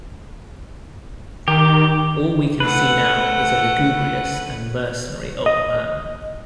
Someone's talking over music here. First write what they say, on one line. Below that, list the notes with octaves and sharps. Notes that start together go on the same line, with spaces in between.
All we can see now is a lugubrious and mercenary old man.
D#3 G4
A3 B4 F#5
D#5